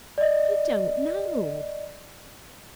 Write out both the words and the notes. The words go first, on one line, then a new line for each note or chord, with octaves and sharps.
"I don't know."
D5 D#5